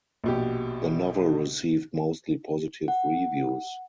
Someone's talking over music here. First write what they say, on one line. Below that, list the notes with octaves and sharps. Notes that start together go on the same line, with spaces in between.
The novel received mostly positive reviews.
A#1 B2 G4
F#5